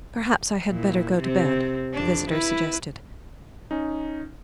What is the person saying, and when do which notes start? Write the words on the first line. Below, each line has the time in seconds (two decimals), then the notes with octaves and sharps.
"Perhaps I had better go to bed!" the visitor suggested.
0.67 A#2 E4
1.20 C3 C4
1.94 F2 D4
2.30 E4 B4
3.71 C#4 D#4